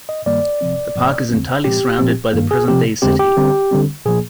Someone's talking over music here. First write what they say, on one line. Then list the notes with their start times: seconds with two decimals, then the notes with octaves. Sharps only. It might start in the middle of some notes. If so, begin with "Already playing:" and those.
The park is entirely surrounded by the present-day city.
0.09 D#5
0.26 G2 D#3 G3 A#3 D5
0.61 C3 F3 C4
0.96 G#2 F3 A#3
1.30 F2 D3 G#3 C4
1.64 A#2 F3 G#3 C4 G4
1.99 A#2 F3 C4
2.33 G2 D#3 A#3
2.51 G#4
2.68 C3 F3 C4 G4
3.02 F2 D3 G#3 C4 G4
3.19 G4
3.37 D3 G3 C4
3.71 D3 G3 C4
4.06 A#2 F3 A#3 G#4